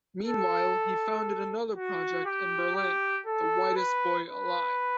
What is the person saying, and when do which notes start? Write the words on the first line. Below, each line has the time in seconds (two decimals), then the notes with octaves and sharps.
Meanwhile, he founded another project in Berlin, The Whitest Boy Alive.
0.25 A4
1.76 F#4
2.26 G4
2.75 G4
3.26 A4
3.76 B4
4.26 B4